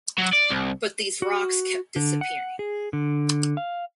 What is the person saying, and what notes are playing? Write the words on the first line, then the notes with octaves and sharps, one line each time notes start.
But these rocks kept disappearing.
F#3
D5
C2
F#4
D3
F#5
G#4
D3
F5